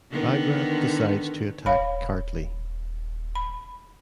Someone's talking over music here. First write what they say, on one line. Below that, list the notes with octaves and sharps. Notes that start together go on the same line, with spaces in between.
Bagrat decides to attack Kartli.
D3 D#3 B3
D#1 C#5 F5 B5
B5